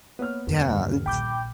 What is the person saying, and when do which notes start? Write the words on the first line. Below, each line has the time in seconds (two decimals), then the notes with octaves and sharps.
Yeah, it's
0.19 A#3 B3 C#5 F6
0.47 D#1 F2
0.69 G2 D3
1.06 A#1 G5 B5 D6 G6